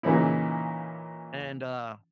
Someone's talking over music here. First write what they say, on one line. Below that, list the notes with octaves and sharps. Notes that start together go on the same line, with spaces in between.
And, uh,
A#2 C#3 E3 C#4 D#4 E4